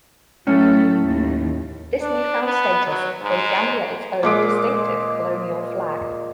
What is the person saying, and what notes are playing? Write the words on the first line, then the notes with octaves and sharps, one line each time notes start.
This newfound status gave the Gambia its own "distinctive" colonial flag.
A2 F#3 A3 C#4 A4
D#2
D4
B3
F#3
G#2
A#2 G#3 D6